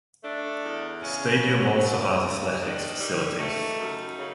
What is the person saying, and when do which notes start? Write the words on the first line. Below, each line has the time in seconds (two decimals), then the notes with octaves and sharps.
The stadium also has athletics facilities.
0.24 A3 D4
0.63 E2
1.03 C#3 C#4
1.43 F#3
1.81 G2 C#4
2.21 G2
2.61 D#3 D4
3.00 G3 D#4
3.38 A3 D#4
3.77 F#2
4.17 C#3